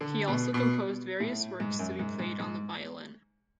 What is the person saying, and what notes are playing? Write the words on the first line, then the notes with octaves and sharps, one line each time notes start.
He also composed various works to be played on the violin.
D3
B2
B2
A2
G#2
F#2
G#2
G#2
G#2